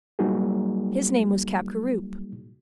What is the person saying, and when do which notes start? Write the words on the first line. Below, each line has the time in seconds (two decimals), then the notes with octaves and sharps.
His name was Capgaroupe.
0.19 F#3 G3 A#3 D#4 F#4 G#4